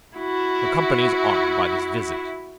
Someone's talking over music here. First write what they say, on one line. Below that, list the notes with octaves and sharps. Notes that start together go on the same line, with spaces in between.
"The Company is honored by this visit."
E4 F#4